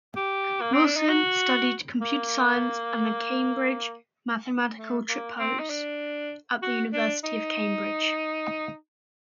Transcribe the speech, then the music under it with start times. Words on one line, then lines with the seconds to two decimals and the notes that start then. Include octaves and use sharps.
Wilson studied computer science and the Cambridge Mathematical Tripos at the University of Cambridge.
0.16 G4
0.61 A#3
0.73 C4
0.85 D4
0.97 D#4
1.09 F#4
2.01 A#3
4.78 A3
5.09 A#3
5.39 C4
5.59 D#4
5.70 D4
6.62 F#4
6.93 D4
7.24 D#4